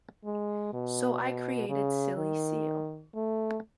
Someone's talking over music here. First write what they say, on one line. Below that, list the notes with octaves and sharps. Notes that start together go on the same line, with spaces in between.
So I created "Silly Seal".
G#3
B2
B2
C#3
D#3
A3